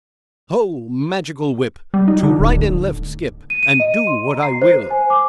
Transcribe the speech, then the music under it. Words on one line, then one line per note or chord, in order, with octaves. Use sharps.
"Ho! Magical Whip! To right and left skip! And do what I will!"
G3
D#4
D3
D1
D#7
D#7
D#5
C6
A#5
C7
C5
G#5
D6